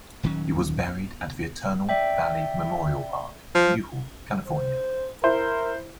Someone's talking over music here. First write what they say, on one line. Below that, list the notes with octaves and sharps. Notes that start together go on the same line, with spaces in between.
He was buried at the Eternal Valley Memorial Park in Newhall, California.
D#1 D#3 F#3 C#4
D5 E5 G5
F3 F6
C5
E4 A#4 C5